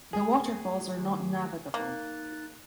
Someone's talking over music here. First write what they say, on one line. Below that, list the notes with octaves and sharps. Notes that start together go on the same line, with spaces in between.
The waterfalls are not navigable.
A3 G#4
D#3 A3 G4
A#3 D#4 F#6 A6